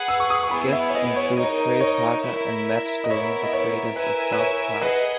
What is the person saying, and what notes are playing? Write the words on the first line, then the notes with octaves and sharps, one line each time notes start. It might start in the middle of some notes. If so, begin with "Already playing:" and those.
Guests included Trey Parker and Matt Stone, the creators of "South Park".
Already playing: G#4 B4 F#5
E6
C#6
D#6
C#6
B3 E4 G#4 B5
E5
C#5
D#5
C#5
D#4 A#4 C#5 D#5
C#5
E4 A#4 E5
D#5
B3 E4 A#4 C#5 E5
D#5
C#5
E4 A#4 B4 E5 G#5
B4
C#5
G#4 B4 D#5 F#5